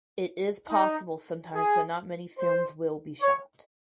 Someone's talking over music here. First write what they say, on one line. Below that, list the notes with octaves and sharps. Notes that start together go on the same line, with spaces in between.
It is possible sometimes but not many films will be shot.
D#4
G#4
C5
C#5